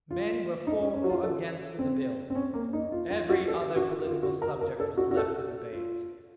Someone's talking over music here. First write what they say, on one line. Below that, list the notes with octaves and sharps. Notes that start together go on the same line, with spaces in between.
Men were for or against the bill--every other political subject was left in abeyance.
F4
D#4
C#4
C#4
F#4
F4
A4
C4
C4
C#4
A#3
D#4
F4
F4
F#4
A4
F#4
F4
F#4
A#4
A#4
A4
F#4
F#4
A4
F4